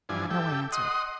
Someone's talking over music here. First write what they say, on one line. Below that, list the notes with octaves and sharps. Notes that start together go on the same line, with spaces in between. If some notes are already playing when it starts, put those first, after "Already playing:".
No one answered.
G2 E3 F3 D4 G#5
G4 A4 E5 G5
D#5 F#5 C6 D#6